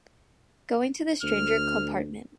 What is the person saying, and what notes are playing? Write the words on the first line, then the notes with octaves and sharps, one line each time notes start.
Going to the stranger compartment.
D2 F6